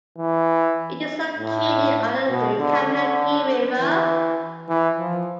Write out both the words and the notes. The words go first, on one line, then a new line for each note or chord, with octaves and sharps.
It is located on the Kankakee River.
E3
A2
B2
D3
D3
E3
E3
F3